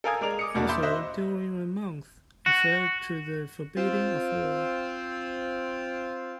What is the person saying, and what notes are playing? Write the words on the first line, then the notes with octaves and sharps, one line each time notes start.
Also during the month referred to the forbidding of war.
A4 A#4 F5 G#5 D#6 G#6
G#3 A#4 D5 F7
D6 D#6 C#7
E2 B2 A#3 D4 F#4
E5 B5 C6 D6 E6 G6
C5 D#5 E5 C6 F#6
F#4
C4 F4